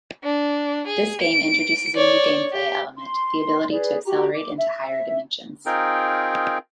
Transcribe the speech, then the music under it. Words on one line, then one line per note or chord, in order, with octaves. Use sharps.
This game introduces a new gameplay element: the ability to accelerate into higher Dimensions.
D4
G#4
D7
C#5 D5
G4
C6
G#4 B4 D5
F#4 G4 A#5
D6
E5
C4 D#4 F4 G#4 A#4 G5